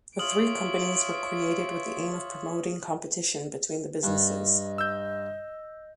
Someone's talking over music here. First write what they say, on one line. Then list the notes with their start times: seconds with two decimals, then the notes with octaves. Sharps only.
The three companies were created with the aim of promoting competition between the businesses.
0.19 F4 C#5 E5 D#6 F6 D7 F#7
4.03 G2 D#5
4.78 E6 G6